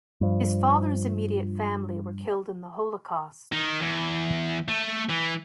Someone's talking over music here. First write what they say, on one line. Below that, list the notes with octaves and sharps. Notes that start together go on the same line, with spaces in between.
His father's immediate family were killed in the Holocaust.
G2 F3
D#3
E2
A3
E3